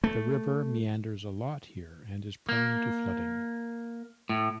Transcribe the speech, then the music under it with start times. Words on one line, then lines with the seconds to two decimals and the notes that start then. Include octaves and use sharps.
The river meanders a lot here and is prone to flooding.
0.04 A3
2.49 A#3
4.29 A2